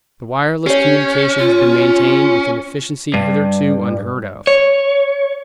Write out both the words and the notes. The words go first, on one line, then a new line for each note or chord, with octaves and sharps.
The wireless communication has been maintained with an efficiency hitherto unheard of.
C#4 G4 C#5
F4
G2
C#5